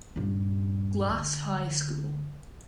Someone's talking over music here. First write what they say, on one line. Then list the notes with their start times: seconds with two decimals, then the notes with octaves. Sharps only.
Glass High School.
0.16 D#1 G2
1.09 D2